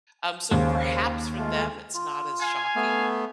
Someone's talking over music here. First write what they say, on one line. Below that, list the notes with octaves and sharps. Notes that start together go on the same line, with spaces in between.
Um, so perhaps for them, it's not as shocking,
D#2 C#3 C5
G#3 A3 F4
F4
F5 G#5
A3 B3